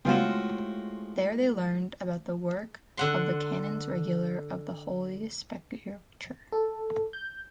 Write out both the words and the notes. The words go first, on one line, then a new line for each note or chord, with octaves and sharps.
There they learned about the work of the Canons Regular of the Holy Sepulchre.
A2 C#3 G3 G#3 B3 C4 F4 F#4
D3 F#5 C6
A4
G6